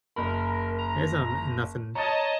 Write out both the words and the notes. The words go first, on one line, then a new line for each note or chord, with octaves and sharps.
it's not nothing,
F#1 A#4 B5
A#5
C#5 D#5 A5 A#5 A6